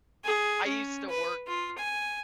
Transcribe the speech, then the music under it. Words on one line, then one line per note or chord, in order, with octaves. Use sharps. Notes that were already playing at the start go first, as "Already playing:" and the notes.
I used to work
G#4
C#4
B4
F4
G#5